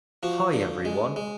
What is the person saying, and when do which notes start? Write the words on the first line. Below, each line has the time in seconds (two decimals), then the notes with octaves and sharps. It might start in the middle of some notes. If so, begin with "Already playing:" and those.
Hi everyone.
0.23 F3 F#4
0.53 D3
0.85 G#3
1.16 G#3